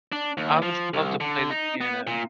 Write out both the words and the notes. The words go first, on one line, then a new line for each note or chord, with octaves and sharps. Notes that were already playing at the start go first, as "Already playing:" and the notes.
I would love to play the piano.
D4
D#2
F3
C2
D3
D#4
B3
A#2